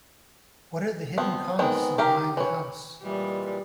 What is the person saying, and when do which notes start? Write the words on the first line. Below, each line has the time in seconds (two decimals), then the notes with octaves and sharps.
What are the hidden costs of buying a house?
1.18 F3 B3 C4
1.59 D#3 G#3 B3 C4
1.98 D#3 G4 F5 A#5
2.37 E3 C#5
3.03 A#2 E3 G3 G#3